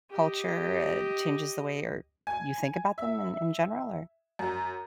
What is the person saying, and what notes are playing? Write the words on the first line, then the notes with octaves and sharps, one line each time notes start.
culture, uh, changes the way you're you think about them in in general, or
G4 D#5
G#5
E5
F#2